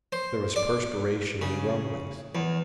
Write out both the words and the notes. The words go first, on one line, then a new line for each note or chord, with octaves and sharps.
There was perspiration and grumblings.
C5
D5
C#3
E2